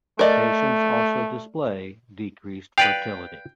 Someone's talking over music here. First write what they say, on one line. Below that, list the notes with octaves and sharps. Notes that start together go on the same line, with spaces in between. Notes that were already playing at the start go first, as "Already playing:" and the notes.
Patients also display decreased fertility.
A3 A#4 D5 D#5
B4 D5 F5 G5